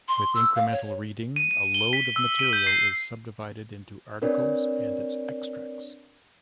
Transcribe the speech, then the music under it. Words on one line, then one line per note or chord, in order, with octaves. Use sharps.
With incremental reading, a load of material is subdivided into articles and its extracts.
C6
E6
F5
C#5
D#7
D#7
G7
B6
E6
D#7
G6
C7
C4 D4 A#4 B4 C#5 D5